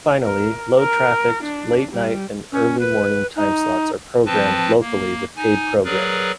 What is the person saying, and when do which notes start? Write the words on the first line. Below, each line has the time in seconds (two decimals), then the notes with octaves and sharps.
Finally, low-trafficked late night and early morning timeslots are programmed locally with paid programming.
0.22 A#4
0.79 A#4
1.43 D4
1.92 G3
2.52 C#4
2.79 B4
3.36 D#4
4.26 F3 C4 B4 A5
4.81 A#3
5.36 D#4 G#5
5.85 F#3 G#4 A#4 B4 D5